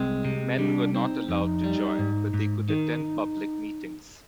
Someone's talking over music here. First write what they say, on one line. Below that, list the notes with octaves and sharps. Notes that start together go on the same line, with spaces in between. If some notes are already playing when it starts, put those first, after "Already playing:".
Men were not allowed to join but they could attend public meetings.
Already playing: C2 G#3 C4
C3
G3 D4
C4 D#4
F2 D#4
G3
G#2
G#2
D#3 D#4